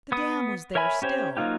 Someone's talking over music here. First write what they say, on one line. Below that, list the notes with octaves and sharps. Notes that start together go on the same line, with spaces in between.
The dam was there still.
B3 D#6
A#4 C#5 E5 G#5 B5
C#4 G4 C5 C#5
F#3 A#3 D#4 F4 G4